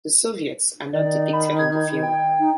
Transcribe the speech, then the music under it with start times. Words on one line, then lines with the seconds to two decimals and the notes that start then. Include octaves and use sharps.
The Soviets are not depicted in the film.
0.93 D#3 D5
1.33 B5
1.59 G#6
2.03 G5
2.39 D#4